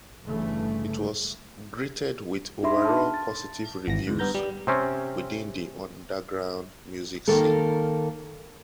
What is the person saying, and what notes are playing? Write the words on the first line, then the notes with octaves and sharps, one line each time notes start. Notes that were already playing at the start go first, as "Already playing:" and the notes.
It was greeted with overall positive reviews within the underground music scene.
G1 G2 C#3 E3 A3
D4 D#4 G#4 E5 B5 C6
A5 F6
A6
G#1 E3 A#6
D2 G#2
G2 B3 A#5 G6
G3
C3 C4 C#4
D#3 A#3 A4 A#4